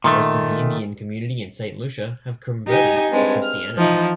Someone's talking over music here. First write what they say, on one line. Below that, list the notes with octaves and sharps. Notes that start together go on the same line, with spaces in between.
Most of the Indian community in Saint Lucia have converted to Christianity.
A#2 D#3 A3
D#4 G4 D#5 G#5
G2 G#3 C4
F6
E3 F3 D#4